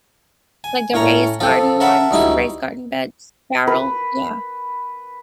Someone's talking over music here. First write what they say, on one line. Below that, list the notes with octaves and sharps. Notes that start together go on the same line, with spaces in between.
Like the raised garden ones, raised garden beds, barrel? Yeah.
G#5
A2 C#4 C#5 A#5
F3 C4 F4 A4
A#4 E5 F#5 A5 B5
D2 G3 D#4 E4
B4